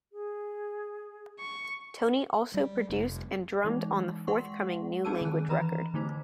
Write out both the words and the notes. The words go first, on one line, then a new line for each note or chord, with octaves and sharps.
Tony also produced and drummed on the forthcoming New Language record.
G#4
C#6
G3
F1
E3 G#3 D#4
G#3 F#5 C6 C#6
C4 D#4 G#4 A5 E6 D#7
D#3 F#6
E3 B4 A#5 B5
D3 A3 D#4 C5